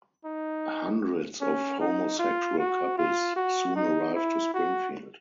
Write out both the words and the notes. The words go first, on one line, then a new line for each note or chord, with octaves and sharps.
Hundreds of homosexual couples soon arrive to Springfield.
D#4
C#4
D#4
F4
F#4
F4
F#4
D#4
E4
F#4